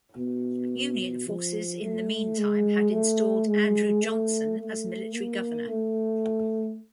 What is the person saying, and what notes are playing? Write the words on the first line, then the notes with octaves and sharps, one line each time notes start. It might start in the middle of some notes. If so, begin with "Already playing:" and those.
Union forces, in the mean time, had installed Andrew Johnson as military governor.
B2
F3
A3
G#3
A3
G#3
A3
A3
A#3
A3